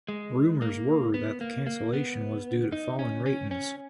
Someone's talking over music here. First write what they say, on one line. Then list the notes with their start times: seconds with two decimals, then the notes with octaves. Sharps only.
Rumours were that the cancellation was due to falling ratings.
0.08 G#3
0.62 A#3
1.14 B3
1.41 A#3
1.67 A#3
1.94 B3
2.72 D#4
2.99 C#4
3.26 C#4
3.51 C#4